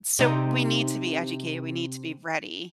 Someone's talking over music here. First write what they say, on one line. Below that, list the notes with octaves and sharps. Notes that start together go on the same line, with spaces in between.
so, we need to be educated. We need to be ready
C3 D#4